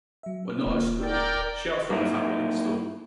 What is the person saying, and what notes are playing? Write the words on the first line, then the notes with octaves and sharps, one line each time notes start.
When not at school, she helps run the family liquor store.
F#3 E5
D#1 D3 A#3 F4
A#4 D5 G5 E6 A6
F#3 A#3 D#4 E4